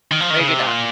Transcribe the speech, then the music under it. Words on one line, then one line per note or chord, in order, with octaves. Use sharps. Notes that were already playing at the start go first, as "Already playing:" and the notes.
Maybe not.
D#3
F3
D#3
C#3
C3
A#2